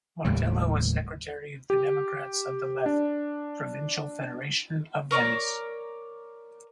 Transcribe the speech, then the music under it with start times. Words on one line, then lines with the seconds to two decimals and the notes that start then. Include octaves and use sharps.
Martella was secretary of the Democrats of the Left provincial federation of Venice.
0.25 F#1 D#2 A2 G3
1.70 G4
2.86 D4
5.11 A#4 C#5 D5 A#5